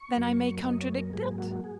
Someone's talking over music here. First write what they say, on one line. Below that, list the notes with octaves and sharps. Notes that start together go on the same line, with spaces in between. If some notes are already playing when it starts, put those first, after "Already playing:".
"Then I may contradict it."
Already playing: C#6
F#2 F#3 A#3
F#2 F#3 A#3 D#5
C#5
A#4
G#2 F#3 A#3 G#4
F#4
G#4